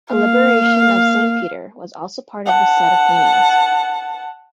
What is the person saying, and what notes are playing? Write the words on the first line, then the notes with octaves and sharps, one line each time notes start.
A "Liberation of Saint Peter" was also part of this set of paintings.
A#3 F5
F#5 A5